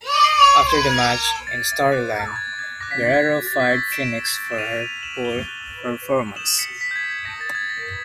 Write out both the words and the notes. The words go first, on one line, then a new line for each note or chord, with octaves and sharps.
After the match, in storyline, Guerrero fired Phoenix for her poor performance.
D6 G6 C#7 D#7
C7 D7
C#7 D#7
C7
G#6
G#6
G#6
D6 F6 G#6
G#6
A6
D6 F#6
A6
G#6
G#6
D6 F#6 A#6
B6
A#6
G#6
G#6
A6
B6
C#6 E6 G6 A#6
B6
D7 E7
D7 E7
E7
D6 F6 D#7 F7
D#7 F7
E7 F#7
F7 G7
C#6 F#6
D#6 G6 E7 F#7
B6 C#7
B6
G6
G#6
G#6
D#6 G6 A#6
A6
G#6
A#6